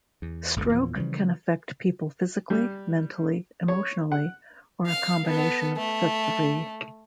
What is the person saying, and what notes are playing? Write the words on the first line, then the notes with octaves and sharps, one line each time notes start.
Stroke can affect people physically, mentally, emotionally, or a combination of the three.
E2
G1 D2 D3
E2 A#2 F3
C#3 E3 F3 G3
G3
C#5
F#5
F5 F6
B3 A4
A3